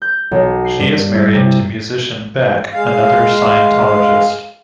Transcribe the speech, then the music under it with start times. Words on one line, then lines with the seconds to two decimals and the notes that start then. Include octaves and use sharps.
She is married to musician Beck, another Scientologist.
0.02 G6
0.31 B1
0.65 C7
0.80 G2
1.15 E4
1.35 C3
2.73 G#3 F5